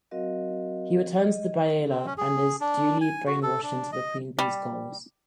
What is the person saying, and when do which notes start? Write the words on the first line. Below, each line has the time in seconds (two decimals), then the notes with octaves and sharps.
He returns to Biayla and is duly brainwashed into the Queen Bee's goals.
0.11 F#3 C4 F#4 A#4 D#5 F5
1.19 D#5
1.90 C4
2.06 C#4
2.18 G#4
2.61 D4
3.01 G#5
3.27 F#4
3.43 A4
3.63 D4
3.92 D#5
4.39 G3